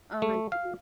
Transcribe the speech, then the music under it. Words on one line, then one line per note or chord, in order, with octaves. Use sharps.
Oh my goodness.
A3
F5